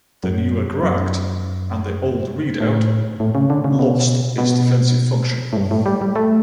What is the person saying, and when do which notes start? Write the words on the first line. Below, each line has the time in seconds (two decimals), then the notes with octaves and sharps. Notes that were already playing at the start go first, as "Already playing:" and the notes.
The Nieuwe Gracht and the old redoubt lost its defensive function.
0.24 F#2
0.83 F#2
2.60 A2
3.20 A2
3.35 C#3
3.50 D3
3.64 C#3
3.79 B2
4.38 B2
5.53 A2
5.57 G2
5.71 A2
5.86 G3
6.01 G3
6.16 A3